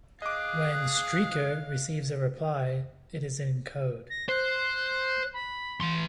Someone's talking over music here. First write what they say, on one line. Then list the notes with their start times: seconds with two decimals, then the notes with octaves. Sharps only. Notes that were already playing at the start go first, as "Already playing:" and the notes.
When "Streaker" receives a reply, it is in code.
0.22 G#4 D#5 F5 D6 F#6
4.10 A#6
4.29 C5 F#6
5.33 B5
5.80 E3 C6